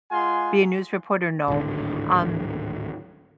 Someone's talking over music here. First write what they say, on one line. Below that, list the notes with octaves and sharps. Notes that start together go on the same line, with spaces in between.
Be a news reporter, no, um,
G#3 F4 F#5 G#5 C6
D1 G#1 D3